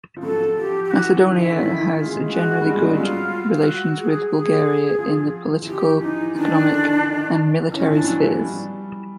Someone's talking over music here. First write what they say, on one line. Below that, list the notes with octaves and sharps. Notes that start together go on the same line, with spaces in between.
Macedonia has generally good relations with Bulgaria in the political, economic, and military spheres.
F3
F#3 A4
F3 G4
G4
E3 F#4
D#3
E4
D3
D#3 E4
E3
F4
G#3
G#3 F#4
G3
G#3
G3
F#3 F4
F4
F#4
G#4
G#4
F3
E3
F3 G4
E3 D#4
D#3 D4
D#3
D3
D#3
E3 C#4
F3
E3 D4
F#3
G3